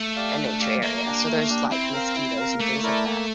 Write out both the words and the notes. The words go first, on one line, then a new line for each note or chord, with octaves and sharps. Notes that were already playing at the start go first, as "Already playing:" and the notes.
a nature area, so there's, like, mosquitoes and things like that.
Already playing: A3
G4 D5 F5
D4
G4 D5 F5
A3 A#3
D4 G4
A3
D4 G4
C4 E4
A#4 F5
E4
A#4 F5
A3 A#3
E4 A#4 D5
A#3